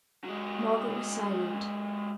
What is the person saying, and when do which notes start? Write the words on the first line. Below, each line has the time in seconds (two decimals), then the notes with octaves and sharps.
Margaret was silent.
0.24 F#3 G#3